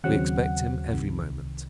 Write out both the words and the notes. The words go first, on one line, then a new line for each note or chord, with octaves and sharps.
"We expect him every moment."
D#2 C#3 F#3 C4 F#5
C2 C3 D#3